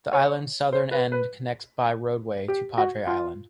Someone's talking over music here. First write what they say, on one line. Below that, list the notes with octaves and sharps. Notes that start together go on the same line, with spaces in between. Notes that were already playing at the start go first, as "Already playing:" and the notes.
The island's southern end connects by roadway to Padre Island.
C#5
C5
B4
B4
G4
F#4
F4